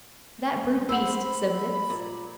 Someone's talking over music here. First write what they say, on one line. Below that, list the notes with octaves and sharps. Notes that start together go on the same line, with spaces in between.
That brute beast submits.
C5 F#5 B5 E6
A#2